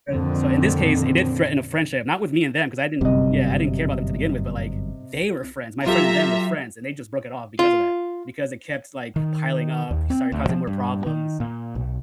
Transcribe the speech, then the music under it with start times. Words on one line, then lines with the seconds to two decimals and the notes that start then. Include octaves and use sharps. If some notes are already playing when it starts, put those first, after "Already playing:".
Uh, so, in this case, it did threaten a friendship- not with me and them 'cause I didn't yeah, I didn't care about them to begin with- but, like, they were friends- my friend and them were friends- and they just broke it off because of that because it kept, like, piling up, he started causing more problems,
0.11 F2 A#2 D3 D#3 C4
3.01 G1 F#2 C3 G3 D#5
5.86 F#3 F4 G4 A4 E5 A#5
7.59 F4
9.16 D#3
9.91 D#2
10.10 C4
10.32 D2
10.49 F3
10.67 G2
11.06 D#3
11.40 A#2
11.75 B1